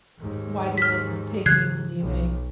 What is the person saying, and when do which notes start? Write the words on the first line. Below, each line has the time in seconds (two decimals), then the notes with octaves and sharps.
why did it t take me leaving
0.19 D#2 G#2
0.78 F6 B6
1.46 C#3 E3 F#6 G#6 C7
2.00 B1